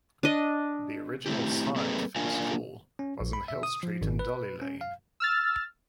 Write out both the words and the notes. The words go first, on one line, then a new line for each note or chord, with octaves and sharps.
The original site for the school was on Hill Street and Dolly Lane.
D4 D#5
A3 C4 E4 G4
G3 A#3 C4 G#4 A4 B4
A#3 D4 F4 A#4 F5 G#5
C#4
A#1
B5
E5
D#6
F3
G#1
B4
C#4
F5
E6 F6 A6